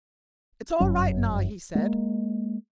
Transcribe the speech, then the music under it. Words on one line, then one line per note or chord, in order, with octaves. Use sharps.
"It's all right now," he said.
G1 F#2 F#3 C#4
G#3 A#3